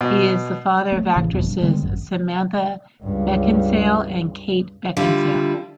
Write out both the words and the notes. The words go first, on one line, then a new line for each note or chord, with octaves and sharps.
He is the father of actresses Samantha Beckinsale and Kate Beckinsale.
B2
A3 A#3
A1 C#3 E3
G#1 F2 B2
G2
D3 G3 G#3 B3
G#1 F#2
C#2 G2
D3 G3 E4 F4